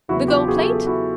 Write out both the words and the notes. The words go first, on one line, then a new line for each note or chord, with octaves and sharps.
"The gold plate?"
E2 C#3 F#3 B3 E4 F#4
F4 G4
F#4 G#4
G4 A4
F#4 G#4
E4 F#4